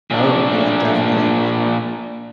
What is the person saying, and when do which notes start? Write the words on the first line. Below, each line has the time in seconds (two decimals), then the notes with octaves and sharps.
Oh, yeah, definitely
0.11 A#2 D4